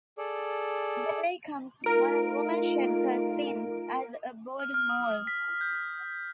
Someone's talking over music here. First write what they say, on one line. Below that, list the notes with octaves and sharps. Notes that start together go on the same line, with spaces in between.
The day comes when a woman sheds her sin as a bird moults.
G#4 A4 D5
A3 D#4 F4 A#4 D7
F6
F6
D#6
B6
G6